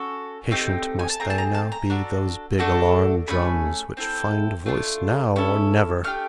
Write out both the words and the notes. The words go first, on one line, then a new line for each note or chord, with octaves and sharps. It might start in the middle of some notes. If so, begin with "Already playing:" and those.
Impatient must they now be, those big alarm-drums, which find a voice now or never!
Already playing: C#4 F#4 A4
A3 C4 D#4 G4
G#5
A5
A3 C4 G#4 A#5
A5
A#5
A5
A#5
D4 F#4 A4
A3 D4 F#4 A4
A3 C#4 G#4 B5
C4 E4 A4
A3 D4 F4
C#4 E4 A4
A3 D4 G4 F6